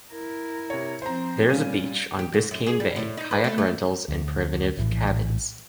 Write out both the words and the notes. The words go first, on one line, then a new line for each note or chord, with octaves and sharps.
There is a beach on Biscayne Bay, kayak rentals, and primitive cabins.
E4 A#4
C3 C#5
F3 C4 C5 A#5
A#2 G3 C#4 D#7
G4
G#2
F#2
G#4
G3
A2
D#4
B4
A3
A3
D2
A#1 A2 C3 E3